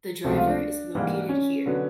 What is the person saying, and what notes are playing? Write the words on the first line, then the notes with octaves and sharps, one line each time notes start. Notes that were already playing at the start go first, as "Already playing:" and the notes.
The driver is located here.
C#2 C3 F3 A3 F#4
F4
D4
G#2 E3 G3 A#3
C#4
D3 F#3 B3